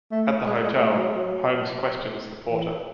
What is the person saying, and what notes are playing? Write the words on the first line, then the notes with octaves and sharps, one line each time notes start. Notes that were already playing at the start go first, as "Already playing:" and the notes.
At the hotel, Holmes questions the porter.
A3
G#3
G#3
A3
G#3
F#3
F#3
E3